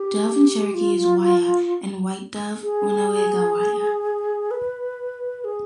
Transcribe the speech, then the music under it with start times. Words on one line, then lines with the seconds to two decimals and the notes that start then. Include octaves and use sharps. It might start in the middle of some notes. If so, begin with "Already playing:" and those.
Dove in Cherokee is "waya" and white dove "unega waya".
Already playing: G4
0.74 F4
2.62 G#4
4.51 B4
5.44 G#4